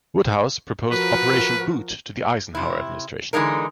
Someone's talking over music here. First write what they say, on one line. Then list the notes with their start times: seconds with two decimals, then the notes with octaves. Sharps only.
Woodhouse proposed Operation Boot to the Eisenhower administration.
0.91 F3 F#4 A#4 B4
2.55 C3 E4
3.33 D3 E3 G#3 D#4 A#4